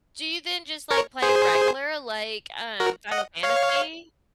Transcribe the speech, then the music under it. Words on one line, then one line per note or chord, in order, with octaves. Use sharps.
do you then just, like, play regular, like, um, Final Fantasy?
A#4 C#5
G#4 C5
F#4 A#4
D#5 F#5
C#5 F5